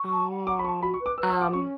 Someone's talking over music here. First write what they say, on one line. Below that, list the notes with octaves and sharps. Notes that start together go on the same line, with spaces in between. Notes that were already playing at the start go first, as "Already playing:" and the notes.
Oh. Um
Already playing: C#6
A5
F#5
F#5 D6
B5
A5 C#6
F#4 B5
C#6
B4
D6
B4 E6
E6
F#5
D6
C#4 C#6